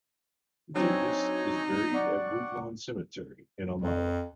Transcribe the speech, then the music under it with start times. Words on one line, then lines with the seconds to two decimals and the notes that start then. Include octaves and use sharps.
Davis is buried at Woodlawn Cemetery in Elmira.
0.75 F#3 C4 D4 D#4 C#5 G#5
1.94 D5 F#5 C#6
3.82 F2